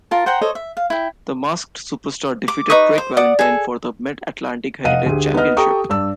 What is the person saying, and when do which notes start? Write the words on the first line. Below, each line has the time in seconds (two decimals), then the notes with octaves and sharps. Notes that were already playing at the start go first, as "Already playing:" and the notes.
The Masked Superstar defeated Greg Valentine for the Mid-Atlantic Heritage Championship.
0.11 F4 A#4 A5
0.26 C5 F#5 G5 A#5
0.41 A4 C5 C#5 D#5
0.55 E5
0.77 F5
0.90 E4 G5
2.48 D6
2.70 D#4 B4 C#6 D#6
2.98 C5
3.17 D5 F#5 D#6
3.39 G#4 A4
4.85 F1 D#5 F5 F#5 D#7
5.06 D2 G4 G#4
5.34 B3 D#4 B4 D#5 F6
5.57 G4 A4 G5 A#5 C#6 D#6
5.90 G2 D5 E6